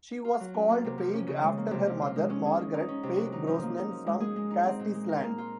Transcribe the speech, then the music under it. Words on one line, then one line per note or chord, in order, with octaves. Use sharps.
She was called Peig after her mother, Margaret "Peig" Brosnan, from Castleisland.
F4
F#3
C#4
A#3
C3
F3
C#4
C#3
G#3
A#3
C3
F3
F4
G#3
C#4
G#4
G#3
D#4
C#4
C3
F#3
D#4
F3
A#3
D#4
F3
G#3
G#4
G#3
D#4
C4
A#2
G#3
A#4
A#3
F4